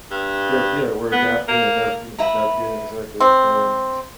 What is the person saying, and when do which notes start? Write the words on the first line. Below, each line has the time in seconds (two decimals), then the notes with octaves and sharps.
Yep, yeah, we're adapting and naviga navigating exactly, and
0.11 G2
1.12 B3
1.48 A#3
2.18 E4 B4 A#5
3.20 C4